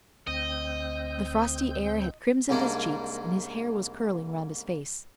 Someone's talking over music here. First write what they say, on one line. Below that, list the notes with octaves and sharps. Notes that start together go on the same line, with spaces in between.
The frosty air had crimsoned his cheeks and his hair was curling round his face.
D2 C4 D#5 G6
C2 G#2 A#3 C#4 D4